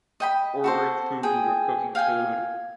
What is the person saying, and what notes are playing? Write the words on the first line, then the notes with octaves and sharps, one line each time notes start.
ordering food or cooking food,
D#5 G5 B5
F#4 A4 C5
G#4 G5
F5 G5 G#5